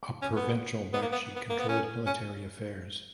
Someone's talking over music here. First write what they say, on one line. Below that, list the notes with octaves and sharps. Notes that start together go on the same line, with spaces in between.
A provincial bakshi controlled military affairs.
C#4
B3
B3
A#3
B3
B3
A#3
B3
C#4
C#4